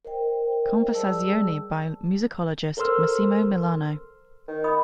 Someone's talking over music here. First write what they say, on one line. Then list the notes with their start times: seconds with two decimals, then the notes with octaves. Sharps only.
Conversazioni by musicologist Massimo Milano.
0.05 A#4 C5 D#5 G5
0.94 G3 G#4 D5 A5 E6
2.77 A4 A#4 C5 C6 E6 F6
4.48 D#3
4.64 D#5 B5 D#6